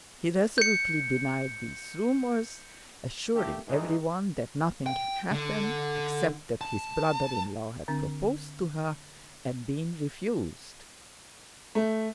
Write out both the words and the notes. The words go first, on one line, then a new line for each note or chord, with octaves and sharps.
He resolutely denied these rumors, assuring everyone that nothing had happened except that his brother-in- law had proposed to her and been refused.
G6 C#7
D3 A3 A#3 G4
G2 D#3 E3 G#3 D#4
G5
D3
A5
D3 C4 D4
A3